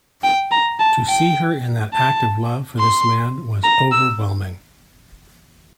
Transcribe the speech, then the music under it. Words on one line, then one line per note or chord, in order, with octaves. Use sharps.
To see her in that act of love for this man was overwhelming.
G5
A#5
A5
G5
A5
C6
A#5
E6